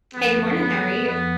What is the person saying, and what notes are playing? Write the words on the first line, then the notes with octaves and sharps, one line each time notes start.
Hey, good morning, how are you?
F#2 D3 F3 G#3 B3
B3
F2 B3